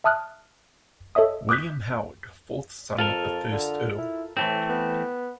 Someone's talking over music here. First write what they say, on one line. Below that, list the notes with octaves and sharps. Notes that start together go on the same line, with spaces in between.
William Howard, fourth son of the first Earl.
E5 A5 D#6 F6 F#6
A4 C#5 D#5 E5 D#6
D6 D#6 F#6 G6 B6
F2 F4 A4 A#4
D3
E4
A2 E3 A3 C4
B3